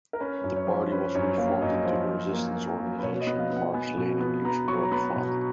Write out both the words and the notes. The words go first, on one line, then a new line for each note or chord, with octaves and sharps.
The party was reformed into the resistance organization Marx-Lenin-Luxemburg Front.
A#4
C#4 B4
F#2
C#5
F3
C#4 B4
F#2 C#5
A#3 F5
F#2 D#5
F3
F3
A#3
A#3
A#3
B4
B2 C#5
D#5
B3
F5
B3
F#5
B3 G#5
B2
B3
B3 A#5
F#3 C#6
A#5
B3 B5
B2